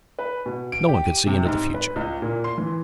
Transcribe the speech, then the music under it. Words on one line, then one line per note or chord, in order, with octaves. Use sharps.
No one could see into the future.
B4
B2
D7
G4
D#7
C3
G#2
B4
C#2
A#2
C6
E3